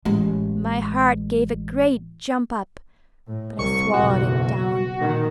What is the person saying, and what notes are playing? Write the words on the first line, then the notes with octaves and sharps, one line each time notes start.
My heart gave a great jump up, but I swallowed it down.
A1 G#3
A2
C2 C#6
F#1 B1 E2 F#4
A#2 D#3